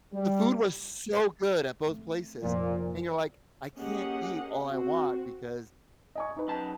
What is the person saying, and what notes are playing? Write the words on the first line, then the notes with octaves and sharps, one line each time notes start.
the food was so good at both places, and you're, like, "I can't eat all I want because"
G3
A3 C4
F1 A#2 F3
A#3 C#4 G4 G#4 D#5 F#5
C4 F#4
D#5 G#5 C#6
D#4 B4
F#2 A5